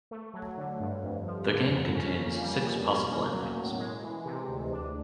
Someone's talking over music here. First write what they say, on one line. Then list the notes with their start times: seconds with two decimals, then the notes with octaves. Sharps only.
The game contains six possible endings.
0.11 A3
0.34 F#3
0.58 D3
0.80 G2
1.03 F2
1.26 F3
1.49 D3
1.72 F2
1.95 C#4
2.18 A#3
2.41 G3
2.64 B2
2.87 C#4
3.11 A#3
3.33 F#3
3.56 A2
3.79 G#3
4.03 E3
4.26 C3
4.48 D2
4.72 D4